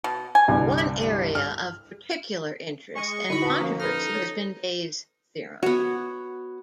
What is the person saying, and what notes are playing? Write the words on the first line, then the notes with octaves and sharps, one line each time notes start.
One area of particular interest and controversy has been Bayes' theorem.
B2
G#5
G1 C2 G2
F6
G#3 D#5 C#6
D3 D#4 E4 F#4 D#5 B5
B4 F#5 A5
F3 A#3 C#4 A#4
D#4 A4 B4 F6
C#5
B3 F#4 C#5